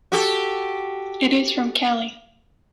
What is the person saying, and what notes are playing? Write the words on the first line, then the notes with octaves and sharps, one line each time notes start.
It is from Cali.
F#4 G4 A4